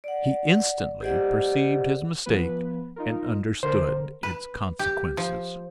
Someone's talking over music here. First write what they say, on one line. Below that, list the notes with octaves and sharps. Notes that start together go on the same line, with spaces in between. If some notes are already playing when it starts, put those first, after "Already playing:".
He instantly perceived his mistake and understood its consequences.
D5 F#5
G4 G#4 C5 D5 D#5 F#5
F3 B3 B4
D#4 F4 A#4
D3 A#4 C5
B4
G4
F3